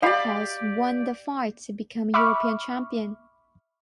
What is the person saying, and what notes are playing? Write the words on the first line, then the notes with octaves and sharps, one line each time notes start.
Neuhaus won the fight to become European champion.
G4 D5 D#5 F5 B5
E5 B5 C#6 D6 F6